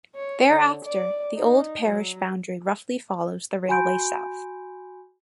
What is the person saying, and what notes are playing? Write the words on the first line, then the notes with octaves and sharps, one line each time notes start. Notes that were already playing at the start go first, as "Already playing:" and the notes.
Thereafter the old parish boundary roughly follows the railway south.
C#5
D3
D5
D#4
F#3
F#4 G#5 B5 C6 G6 D7